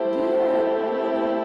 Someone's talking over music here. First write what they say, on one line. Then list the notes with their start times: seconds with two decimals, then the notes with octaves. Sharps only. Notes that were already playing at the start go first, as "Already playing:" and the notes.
Yeah, I wanna
Already playing: A3 C4 E4 G4 C5